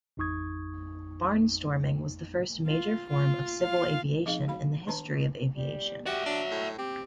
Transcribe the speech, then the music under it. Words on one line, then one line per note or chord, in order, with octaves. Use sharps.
Barnstorming was the first major form of civil aviation in the history of aviation.
A1 F2 D#4 C#6 D#6 G#6
F4
F4
F4 F5
F3 C4 D#4 G#4 D#5 F5
F#4 F5 B5
D#3 D4 B4 A5 A#5
G3
F#4 G4 D5 E5
F#3 D4
A2
C4 G4